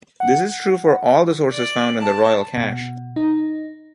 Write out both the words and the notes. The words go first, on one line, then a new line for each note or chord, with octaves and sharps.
This is true for all the sources found in the Royal Cache.
F#5
D5
A5
B2
D#4